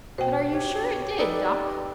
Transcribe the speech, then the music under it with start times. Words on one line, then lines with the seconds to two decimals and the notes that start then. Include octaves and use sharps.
"But are you sure it did, Doc?"
0.18 B2 C5 G5
0.52 G4 C#5
1.19 D#4 A4 B4 D5